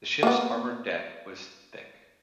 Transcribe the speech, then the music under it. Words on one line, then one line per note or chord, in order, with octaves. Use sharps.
The ship's armored deck was thick.
A#3 B3